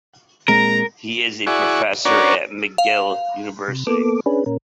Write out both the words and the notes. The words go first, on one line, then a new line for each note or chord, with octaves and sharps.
He is a professor at McGill University.
A#2 G#3 C4 A#4 A#5
E4 F#4 G#4 D5 C#6
C#4 D4 F#4 A#4 C#5 D5
F5
C3
A#3 B3 A4 D6
C#4 D4 G#4 B4
A#2 C#4 A#4